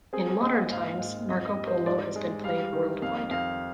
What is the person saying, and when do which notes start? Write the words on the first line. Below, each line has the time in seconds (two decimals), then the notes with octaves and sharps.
In modern times, Marco Polo has been played worldwide.
0.13 C4 G#4
0.41 D#2 D#5
0.70 G#2 F5
0.99 G#2
1.29 F2 D#5
1.47 D#5
1.57 G3
1.67 C5
1.86 G#2 D5
2.16 G#3
2.44 G3 F5
2.73 D#3
3.02 F2 F5
3.31 F2 F5